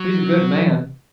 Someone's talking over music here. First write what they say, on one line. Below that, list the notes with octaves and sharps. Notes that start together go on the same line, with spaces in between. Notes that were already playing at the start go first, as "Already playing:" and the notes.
He's a good man.
Already playing: F#3